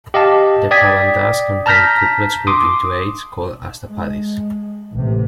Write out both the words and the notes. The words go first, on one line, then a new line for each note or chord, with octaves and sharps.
The Prabandhas contain couplets grouped into eights, called ashtapadis.
G4 D#5 F5 A5
D5 G5 D#6 G#6 B6
A5 A#5 F6 G6 A#6 B6
C6 D6 D#6
G#3
A1 C3